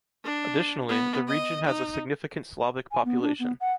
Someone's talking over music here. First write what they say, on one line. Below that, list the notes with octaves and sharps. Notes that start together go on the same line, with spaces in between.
Additionally, the region has a significant Slavic population.
D4
B3
D#5
D#4
G#5
B3
D4
B3
F#5